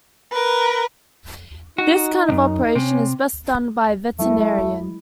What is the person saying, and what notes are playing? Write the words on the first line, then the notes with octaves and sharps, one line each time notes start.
This kind of operation is best done by a veterinarian.
A#4 B4
D#4 F#4
C2 F#2
C3 C#4
F#3 G#3 A3 E4